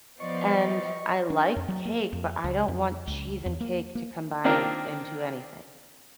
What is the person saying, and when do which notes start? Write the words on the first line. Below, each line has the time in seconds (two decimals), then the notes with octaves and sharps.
and I like cake, but I don't want cheese and cake to combine into anything.
0.20 F3 B3 C5 D5 D#5 C#6
1.30 D4
1.56 F2
1.68 F#3
1.85 A#3
2.13 F2
2.44 C#2
2.68 F2
3.07 C#2
3.46 E2
3.60 A#3
3.95 A#3
4.44 D#3 A#3 C4 D4 F4 A#4